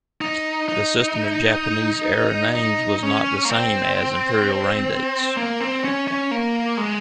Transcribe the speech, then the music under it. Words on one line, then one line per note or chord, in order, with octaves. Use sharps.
The system of Japanese era names was not the same as Imperial reign dates.
D#4
D#4
D#4
C#4
A#3
C4
A#3
C4
C#4
C#4
A#3
G#3